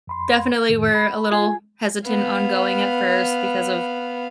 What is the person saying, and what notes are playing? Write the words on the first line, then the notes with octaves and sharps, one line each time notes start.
definitely were a little hesitant ongoing at first because of
F2 B5 C6
F2 A2 D#3
B5
F4 G#4 G#5
B3 F5